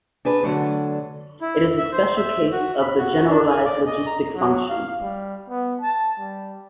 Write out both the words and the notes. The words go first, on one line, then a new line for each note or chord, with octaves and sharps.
It is a special case of the generalised logistic function.
D4 G#4 B4
D3 F#3 A3 D4
E4
E5
C5
E5
F#4
B5
F#4
D4
G#5
D5
D#5
A#5
F#3
F5
G3
B3
A5
G3